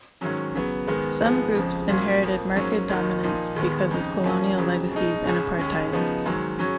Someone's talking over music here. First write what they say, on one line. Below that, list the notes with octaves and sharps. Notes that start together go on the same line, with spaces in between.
Some groups inherited market dominance because of colonial legacies and apartheid.
G#2 D#3 F#3 C#4
C#3 F#3 B3
G#2 D#3 G#3 B3
G#2 F3 G#3 B3
F2 C#3 F3 G#3
A#2 F#3 A#3 C#4
F2 F3 A#3
G#2 F#3 A#3 C#4
D#2 D#3 A#3 D#4
A#2 F3 A#3 D#4
D#2 D#3 G#3 B3
F2 C#3 G#3 D#4
F#2 F3 A#3 C#4
F2 C#3 F#3
B2 G#3 D#4
C#2 C#3 G#3 C#4
D#2 C#3 G#3 C#4
C#3 F3 B3 D#4
G#2 D#3 F#3
C#3 F#3 C#4